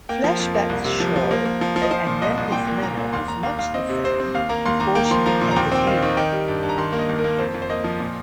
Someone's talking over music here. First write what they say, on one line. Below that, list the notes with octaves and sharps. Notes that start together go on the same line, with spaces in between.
Flashbacks show that Anyanka's manner was much the same before she became a demon.
A#3 G5
F3
F2
A#3
C2
C3
F3
F3
A#3
A#3
F3
F3
D#5
F3 C5
A#2
C2 D#5
C2
A#2 G5
A#3
A#2 A#5
A#2
D#2 C6
D#2 A#5
D#2 F5
D#2 F5
C4 D#5
C3
C4 C5
C4
D#2 F5
A#3 A#5
D#2 C6
D#2 A#5
A#3 G5
A#5
F3 C6
F3 A#5
A#2
A#5
D#2 G5
C4 G5
D#3 F5
D#3
D#3 G5
G3
G2
G2
A#5
D#3 C6
A#3
D#5
D#2
A#4
A#3
F2 C5
F2
C5
A#3 D#5
F3
A#2